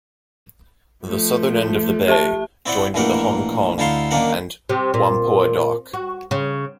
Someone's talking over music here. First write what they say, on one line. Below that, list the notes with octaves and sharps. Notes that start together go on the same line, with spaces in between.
The southern end of the bay joined with the Hong Kong and Whampoa Dock.
F3 A3
G4 E5 A5
C4 E4 D5 D#5 F#5
A#1 A2 E3 D#4 A#4 F#5
D2 D#4 E4 A4 F5 C6
F#2 D#3 A#3 D4 A#4 F#5
C3
A#2
F#4
C#3